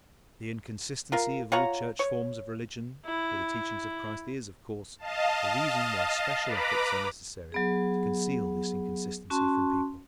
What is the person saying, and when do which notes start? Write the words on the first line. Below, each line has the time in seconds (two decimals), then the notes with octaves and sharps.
The inconsistency of all church forms of religion with the teaching of Christ is, of course, the reason why special efforts are necessary to conceal this inconsistency from people.
1.12 F4 A#4 F5
1.52 F4 C#5 F#5 A#5
1.99 C#5
3.05 E4
4.98 D#5 F5 A5
6.44 B4 A#5 B5 D6
7.52 F#3 B3 G#4
9.30 C#4 F#4 A5 C6